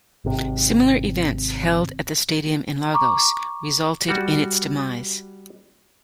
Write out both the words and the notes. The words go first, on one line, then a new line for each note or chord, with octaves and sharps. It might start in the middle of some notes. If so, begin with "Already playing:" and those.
Similar events held at the Stadium in Lagos resulted in its demise.
G#1 C3
A#5 C#6 D6
G3 F#4